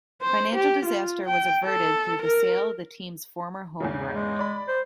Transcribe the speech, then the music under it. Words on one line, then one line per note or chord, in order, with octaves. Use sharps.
Financial disaster was averted through the sale of the team's former home ground.
C5
G4
F4
G5
A4
A#4
E2 G#2 C#3
G#3
D5 B5
C5